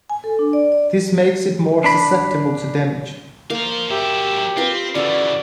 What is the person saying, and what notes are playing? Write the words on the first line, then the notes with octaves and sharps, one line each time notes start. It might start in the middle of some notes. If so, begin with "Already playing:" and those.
This makes it more susceptible to damage.
G#5
A4
D4
D5
D5
D4 B5
A#3 A#4 C5 F5
F#3 G4 E5
C4 F4 B4 F5
C#3 E3 C#4 F#4 A4 D5